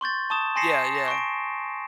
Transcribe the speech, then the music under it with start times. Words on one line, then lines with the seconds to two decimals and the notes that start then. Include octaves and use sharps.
Yeah, yeah.
0.01 C6 C#6 G6 A6
0.30 A5 C#6 D#6 E7
0.56 G#5 C6 A#6 C7 C#7 E7
0.95 A#6
1.08 C#6 D7